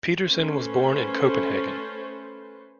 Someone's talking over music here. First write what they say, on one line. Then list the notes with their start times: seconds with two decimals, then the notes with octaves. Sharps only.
Petersen was born in Copenhagen.
0.24 A3 C#4 B4 C5